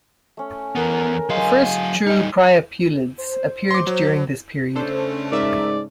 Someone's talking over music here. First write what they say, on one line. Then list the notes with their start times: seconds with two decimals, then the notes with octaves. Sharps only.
The first true priapulids appeared during this period.
0.37 A3 C#4
0.75 E2 B3 A#4
1.29 F#3 G#3 A4 F5 G#5
2.07 G3 D#4 D#5
3.18 C5
3.71 C6 D6
3.87 F#3
4.75 C#3 A3 C#4 D4 A4 C5
5.32 G#2 A#4 D5 E5